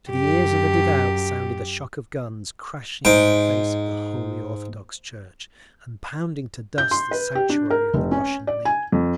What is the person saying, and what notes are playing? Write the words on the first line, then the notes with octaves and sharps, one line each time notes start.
To the ears of the devout sounded the shock of guns crashing in the face of the Holy Orthodox Church, and pounding to dust the sanctuary of the Russian nation....
F#2 G4
G#2 G5
G6
C6
B4
G4
D4
A#4
F1
C#4
D5
G#5
F2